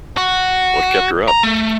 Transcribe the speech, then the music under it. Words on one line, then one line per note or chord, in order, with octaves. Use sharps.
What kept her up?
F#4
A#5
A3